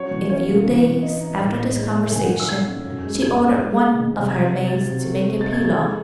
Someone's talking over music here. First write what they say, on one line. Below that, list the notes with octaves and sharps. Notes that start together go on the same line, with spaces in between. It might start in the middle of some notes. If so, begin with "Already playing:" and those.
A few days after this conversation she ordered one of her maids to make a pilaw.
Already playing: F#3 C#4 C#5
E3
C#4 C#5
C#3
E3
E3
D#4 D#5
D#4
A2
A2
G#3
A2
D#3 G#5
F#5
A3 G#5
E6
D#3 G#6
C#4
F#2
G#3
F#2 G#6
G#3
G#3
G#3
D#3
C3
C3 G#6
C3
F#3 A6
C3
A3
A3
D#4 A6
G#6
A3
G#6
G#3 G#6